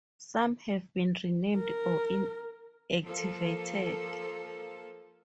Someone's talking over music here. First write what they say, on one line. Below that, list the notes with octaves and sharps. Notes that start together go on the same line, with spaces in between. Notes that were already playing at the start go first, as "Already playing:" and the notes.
Some have been renamed or inactivated.
A#4
F3 A#3 A4